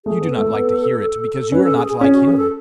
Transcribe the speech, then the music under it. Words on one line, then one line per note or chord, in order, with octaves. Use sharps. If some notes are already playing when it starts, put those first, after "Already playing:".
You do not like to hear it because you are not like him.
A3 G#4
B3
A4
A3
B3
C#4 B4
A4
G#4
G#4
C#4 G#4
F#4
G#4
B4
A4